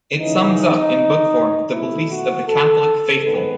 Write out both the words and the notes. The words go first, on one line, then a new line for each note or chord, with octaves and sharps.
It sums up, in book form, the beliefs of the Catholic faithful.
C#2 C#3 E3 D#4
B2 A3 E4
F#4
A4
G#2 D#3 G#3 B3 B4